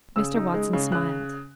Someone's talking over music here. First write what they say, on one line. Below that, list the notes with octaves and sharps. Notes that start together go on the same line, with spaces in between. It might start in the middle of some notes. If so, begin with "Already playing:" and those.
Mr. Watson smiled.
C#3 E6
D#4
G#3
C#3
C#3 F#6